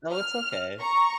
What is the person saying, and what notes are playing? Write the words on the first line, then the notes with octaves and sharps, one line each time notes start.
no, it's okay.
F6
A#5 C#6